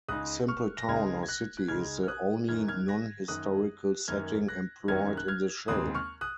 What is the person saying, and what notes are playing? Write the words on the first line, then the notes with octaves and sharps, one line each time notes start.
A simple town or city is the only non-historical setting employed in the show.
C#2 C#3 G#3 D#4 D#6 F#6
C#6 F6
A#6
C#2 C#3 G#3 D#4 F6 G#6
G#6
F#6 A#6
F#6
C#2 C#3 G#3 D#4 F6 G#6
F6
D#6 F#6
F#2 D#3 A#3 C#4 F6 G#6
F6 G#6
F#6 A#6
F#2 D#3 A#3 C#4 D#6 F#6
F#2 D#3 A#3 C#4 F6 G#6
F#6 A#6
F#2 D#3 A#3 C#4 F6 G#6
F#6
F6 G#6
D#2 C#3 G#3 C4 D#6 F#6
C#6 F6
D#6 F#6